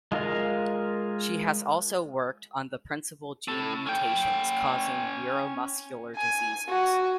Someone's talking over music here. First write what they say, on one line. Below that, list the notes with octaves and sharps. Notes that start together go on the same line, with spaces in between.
She has also worked on the principal gene mutations causing neuromuscular diseases.
G#3 F4 A#4 F5
A2 A4
C#4 G5
G#5
F#4